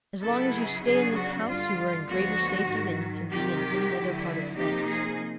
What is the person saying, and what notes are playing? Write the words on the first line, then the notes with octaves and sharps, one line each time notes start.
As long as you stay in this house you are in greater safety than you can be in any other part of France.
C#3 F#3 B3 E4 A4
G#4
C#3 F#3 B3 D4 G#4
F#4
G2 D3 G3 F4
D2 D3 F3 G#3 B3 F#4
G#2 D#3 F#3
F2 C3 D#3 F#3 G4
D3 F#3 B3 E4
C3 F3 A#3 D#4 G4
G#4